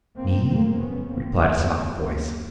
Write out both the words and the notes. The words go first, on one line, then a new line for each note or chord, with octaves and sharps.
'Me?' replied a soft voice.
F2 C#3 A#3 C4
A#3 C4
B3 C#4
A#3 C4
F#2 C#3
A3 B3
G#3 A#3